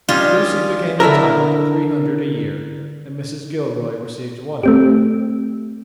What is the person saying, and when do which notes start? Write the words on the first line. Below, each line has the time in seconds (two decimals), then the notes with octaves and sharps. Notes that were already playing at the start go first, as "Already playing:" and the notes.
Lucy became entitled to three hundred a year, and Mrs. Gilroy received one hundred.
0.08 D#3 G3 C#4 F4
1.00 D3 E4 A4 A#4
4.63 A3 C4 G4